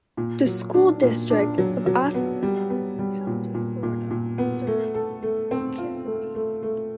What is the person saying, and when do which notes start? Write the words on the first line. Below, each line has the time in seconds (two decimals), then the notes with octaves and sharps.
The School District of Osceola County, Florida serves Kissimmee.
0.17 A#2
0.46 F#3
0.74 D4
1.02 A#2
1.30 D4
1.58 F#3
1.86 F#3
2.14 B3
2.43 G3
2.70 B3
2.99 G3
3.27 A#2
3.54 A#2
3.83 A#2
4.11 A#2
4.38 B3
4.67 A3
4.94 A4
5.22 A3
5.51 C4
5.78 F4
6.06 A3
6.35 A3
6.63 A3